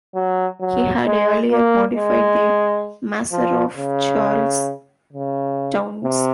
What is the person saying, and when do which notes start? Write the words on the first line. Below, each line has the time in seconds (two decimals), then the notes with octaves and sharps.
He had earlier modified the maser of Charles Townes.
0.15 F#3
0.60 F#3
1.05 G#3
1.50 A#3
1.96 G#3
3.32 F3
3.77 C#3
5.13 C#3
6.03 C3